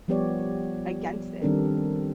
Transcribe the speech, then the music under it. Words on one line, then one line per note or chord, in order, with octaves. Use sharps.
against it.
F3 G3 B3 G4 C#5 D5
D#3 G3 C4 D4 A4 A#4